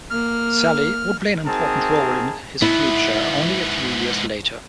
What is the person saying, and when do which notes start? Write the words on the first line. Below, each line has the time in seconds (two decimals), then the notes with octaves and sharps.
Saly would play an important role in his future only a few years later.
0.10 A#3 F6
1.44 C4 D#4 F#4 G#4 A#4 A5
2.62 G#2 B3 E4